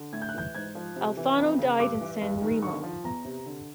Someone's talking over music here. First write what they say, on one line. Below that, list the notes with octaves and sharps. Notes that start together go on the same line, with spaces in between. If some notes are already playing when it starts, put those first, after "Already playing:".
Alfano died in San Remo.
Already playing: D3
A2 G#6
G6
F#6
E3 G6
G#2 G#6
F3
C3
E3
F2
C#3
G2 D6
E3
G2
D#3
D3 C#6
F3
E2 A#5
C3
D3